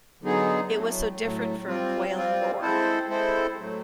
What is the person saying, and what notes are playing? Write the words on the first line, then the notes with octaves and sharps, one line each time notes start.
It was so different from Quayle and Gore.
D3 F#3 B3 D#4 G#4
A2 F#3 A3
A2 F#3 A3
G3 C4 F4
G3 C4 F4
G#3 C4 E4 A4 C5
G#3 C4 E4 A4 C5
A2 F#3 A3